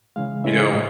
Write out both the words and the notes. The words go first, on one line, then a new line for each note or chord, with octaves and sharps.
You know
C#3 E3 G#3 F5
C#3 E3 G#3 E5
A2 D#5